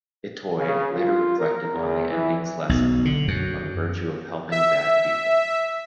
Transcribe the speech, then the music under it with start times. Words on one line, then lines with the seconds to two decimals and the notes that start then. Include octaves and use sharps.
Itoi later reflected on the ending's lesson on the virtue of helping bad people.
0.57 C#3
0.91 F4
1.38 A#4
1.72 E2
2.08 E3
2.69 B1
3.05 D3
3.28 F#2
4.52 E5